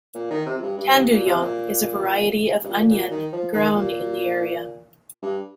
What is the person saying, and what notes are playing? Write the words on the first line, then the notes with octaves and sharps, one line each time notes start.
Tanduyong is a variety of onion grown in the area.
A#2
D#3
C3
F2
G2
G2
G2
A#2
C3
A#2
G2
A#2
A#2
D#3
F3
D#3
A#2
G2